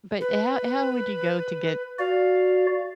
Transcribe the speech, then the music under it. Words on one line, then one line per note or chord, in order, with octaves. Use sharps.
But ho how would you go to get
B4
F#4 D5 F5